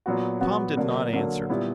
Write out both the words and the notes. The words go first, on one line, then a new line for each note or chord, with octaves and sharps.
Tom did not answer.
A#2 F#3 B3 F#4
A#2 F#3 B3 F#4
D3 F#3 A#3 D4
D3 F#3 A#3 D4
A#2 G3 B3 E4